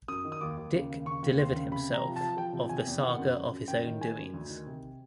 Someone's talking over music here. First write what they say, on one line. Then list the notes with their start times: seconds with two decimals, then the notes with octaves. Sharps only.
Dick delivered himself of the saga of his own doings.
0.08 F#2 D#6
0.25 D#3
0.32 D#6
0.41 D#2 D6
0.58 D#2
0.74 C#3
0.90 D#2
1.06 C#3 C#6
1.23 D#2
1.39 D#2 C6
1.56 C#3
1.72 C3 B5
1.89 C3
1.94 A#5
2.05 F3
2.16 F3 A5
2.37 F3 G5
2.53 C3
2.69 C3 G#5
2.87 E2
3.03 D#3 F#5
3.18 F#2
3.36 F#2
3.52 F#2
3.68 F#2 G5
3.84 D#3
4.01 D#3 G#5
4.18 F#2
4.34 D2
4.50 D#3
4.67 C3